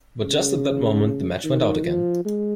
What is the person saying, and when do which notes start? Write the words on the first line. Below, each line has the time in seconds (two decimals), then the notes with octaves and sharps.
But just at that moment the match went out again.
0.23 C#3
1.44 D#3
1.84 F3
2.25 G#3